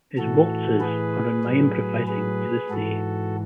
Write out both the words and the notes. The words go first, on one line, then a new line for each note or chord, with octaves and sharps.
His waltzes are in my improvising to this day.
A2 E3 F#4 A4
G#4 B4
A2 F#3
G#4 B4
G#2 E3 F#4 A4